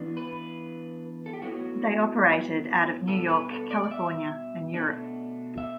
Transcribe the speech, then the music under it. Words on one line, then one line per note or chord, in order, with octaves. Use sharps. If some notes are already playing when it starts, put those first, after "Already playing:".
They operated out of New York, California and Europe.
Already playing: E3 B3 D4
B4
A4
G4
A2 F#3 B3 F#4
B2 G3 B3 D4 A4
B4
A4
D5
D5
E5
B2 A3 D4
E5